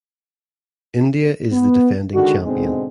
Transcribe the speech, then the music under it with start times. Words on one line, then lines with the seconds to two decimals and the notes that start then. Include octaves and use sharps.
India is the defending champion.
1.52 B3
2.13 D3 D#3 G#3 F#4
2.44 G#2 B2 D3 G#3 C4